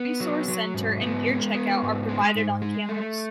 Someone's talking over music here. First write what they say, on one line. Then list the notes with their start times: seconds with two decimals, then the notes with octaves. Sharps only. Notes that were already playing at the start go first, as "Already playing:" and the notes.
A resource center and gear checkout are provided on campus.
Already playing: B3
0.20 F#3
0.48 F#3
0.74 G#2
1.01 B3
1.29 G#3
1.55 B3
1.82 G#2
2.09 G#3
2.35 G#2
2.62 G#3
2.89 A3